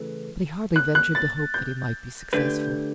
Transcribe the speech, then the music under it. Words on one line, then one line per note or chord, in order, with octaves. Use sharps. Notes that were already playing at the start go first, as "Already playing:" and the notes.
But he hardly ventured to hope that he might be successful.
Already playing: C#3 E3 A3
F#6
F#6
A6
G6
D3 A3 D4 G4 B4 G6